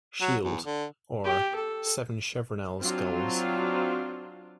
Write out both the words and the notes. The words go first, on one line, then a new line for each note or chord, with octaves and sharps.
Shield: "Or, seven chevronels gules".
F#3
E2
D3
G4
A4
F#3 C4 D4 F4